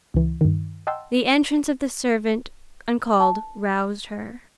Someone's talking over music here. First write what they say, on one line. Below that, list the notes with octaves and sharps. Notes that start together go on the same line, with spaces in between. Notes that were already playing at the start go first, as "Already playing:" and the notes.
The entrance of the servant, uncalled, roused her.
C#2 E3
G2 D#3
D#5 F#5 G5 A5 C6 E6
A5